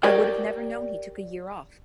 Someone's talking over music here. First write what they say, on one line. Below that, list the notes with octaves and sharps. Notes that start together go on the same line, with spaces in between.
I would have never known he took a year off.
G4 A#4 C#5 D5 G5